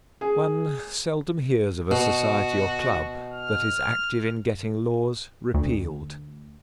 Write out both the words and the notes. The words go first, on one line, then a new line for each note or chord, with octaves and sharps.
One seldom hears of a society or club that is active in getting laws repealed.
G#4
B2 F#4
F6
D2